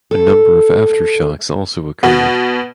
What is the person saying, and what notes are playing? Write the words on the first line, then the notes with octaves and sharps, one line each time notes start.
A number of aftershocks also occurred.
A4
B2 B3